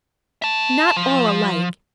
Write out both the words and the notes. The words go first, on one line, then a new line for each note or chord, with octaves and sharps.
'Not all alike.
E5 A5
F3